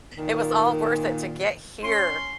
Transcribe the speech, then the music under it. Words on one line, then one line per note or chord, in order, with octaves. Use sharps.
It was all worth it to get here.
A#2 D#3
C#4 C6